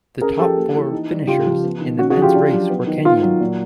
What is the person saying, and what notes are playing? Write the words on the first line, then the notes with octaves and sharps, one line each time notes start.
The top four finishers in the men's race were Kenyan.
C#4 G#4 A#4
F3 G4 A4
A#3
E3
D#4
G3
C#3 F4 G4
F3
B3
D#3
C#4 F#4
F#4 G#4
F3
F4 G4
D4
F#3
B3
D#3
D#3 F4
F#3
A#2